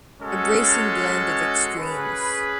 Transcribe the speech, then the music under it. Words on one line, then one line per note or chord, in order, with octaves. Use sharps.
A bracing blend of extremes.
G#3 C#4 F#4 A4
C#4 G#4 B4